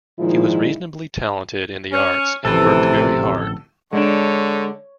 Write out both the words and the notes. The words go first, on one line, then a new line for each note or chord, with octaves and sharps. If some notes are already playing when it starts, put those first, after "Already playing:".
He was reasonably talented in the arts and worked very hard.
A#2 D#3 F3 G#3 D#4 E4
C#4
D1 A1 C3 E3 F3 A4
D3 G#3 D4 C#5